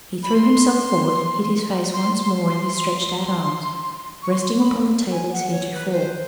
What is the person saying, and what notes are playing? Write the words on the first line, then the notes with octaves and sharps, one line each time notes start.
He threw himself forward, and hid his face once more in his stretched-out arms, resting upon the table as heretofore.
B5
C6
C6
C6
C6
C6
C#6
C6
B5
G#5
F#5
C#5
B4
C5